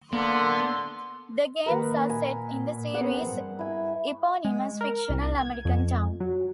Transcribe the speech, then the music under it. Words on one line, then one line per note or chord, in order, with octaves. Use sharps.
The games are set in the series' eponymous fictional American town.
D3 A#3 B3 C6
D#3 A#3 A#4 B4 F#5
A#2 G#5
B3 C4 G#4 F#5
G2
E4 G#5
G#3
A#4
C2
G#6
F2
F#3